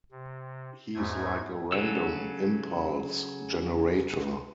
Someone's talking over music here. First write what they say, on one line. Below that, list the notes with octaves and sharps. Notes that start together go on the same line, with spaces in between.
He's like a random impulse generator.
C3
E2 G#2 A3 G#6
C#3 F#3 A4 E6